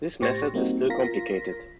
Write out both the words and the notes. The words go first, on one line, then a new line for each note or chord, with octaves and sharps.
This method is still complicated.
A2 G4 C5 C#6 A6 A#6
G3 A#3 C4 D#4 F#4
F4 A#4 A#6 B6